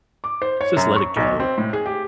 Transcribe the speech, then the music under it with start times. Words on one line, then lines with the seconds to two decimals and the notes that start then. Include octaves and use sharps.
just let it go."
0.24 D6
0.42 C5
0.61 C#5
0.77 F#2
0.96 C#6
1.16 B1
1.40 C4
1.58 A2
1.73 G#4
1.86 G4